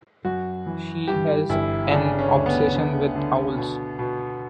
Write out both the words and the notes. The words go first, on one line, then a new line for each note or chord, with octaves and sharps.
She has an obsession with owls.
F#2 F#4
E3
G2 G4
G1 E4
C#3 D4
C#4
D2
B3
D3
D3
B2
B2